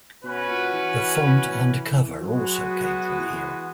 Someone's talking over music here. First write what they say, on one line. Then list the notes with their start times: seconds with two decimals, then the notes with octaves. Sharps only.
The font and cover also came from here.
0.23 B2 C#4 F#4 B4
0.49 A#2
0.73 E3
2.20 F#3 G#3 B3 F#4 B4
3.19 E3